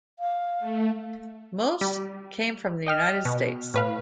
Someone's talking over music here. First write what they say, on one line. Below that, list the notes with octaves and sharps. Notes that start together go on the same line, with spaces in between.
Most came from the United States.
F5
A3
G3
D#5 G5 F6
B2
A2 B4 F5